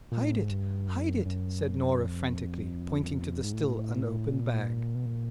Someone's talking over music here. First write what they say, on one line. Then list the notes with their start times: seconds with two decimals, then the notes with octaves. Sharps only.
"Hide it, hide it!" said Norah frantically, pointing to the still unopened bag.
0.12 A#2
0.25 A2
0.37 G#2
0.50 G2
0.88 F#2
1.26 F#2
2.02 F2
3.44 G#2
3.53 A2
4.29 A#2
4.95 B2
5.06 A#2